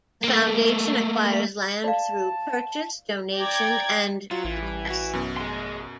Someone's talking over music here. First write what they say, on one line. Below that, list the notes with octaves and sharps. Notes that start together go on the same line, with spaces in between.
The Foundation acquires land through purchase, donation and bequest.
A3 A#3
D5 F5 A5
D5 G5 A#5 D6 G#6
F#3 F4
A1 E3
G3
F#4
F#2 B2
G#4 C6